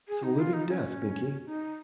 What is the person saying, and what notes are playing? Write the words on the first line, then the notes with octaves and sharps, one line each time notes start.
It's the living death, Binkie.
G#4
D#4
F4
D#4
C#4
D#4